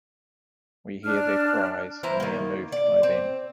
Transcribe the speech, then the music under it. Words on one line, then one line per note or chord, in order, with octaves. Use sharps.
We hear their cries and are moved by them.
D4 F6
E3 E4 C5 A#5
D#3 A#3
D5
C4